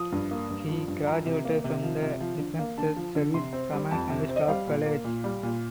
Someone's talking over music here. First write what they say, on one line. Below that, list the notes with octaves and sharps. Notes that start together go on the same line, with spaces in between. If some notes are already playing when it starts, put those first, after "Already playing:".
He graduated from the Defence Services Command and Staff College.
Already playing: F3 D#6
G2
A#3
G2
F3
G2
F3 A#5
C3
A#3
C3
F3
C3
F3
D3
A#3
D3 A5
F3
D3
C3 C6
C4
G3
F2 A5
C3
C4
D#5
G3 F5
A#2
A#3
A#2
G3
A#2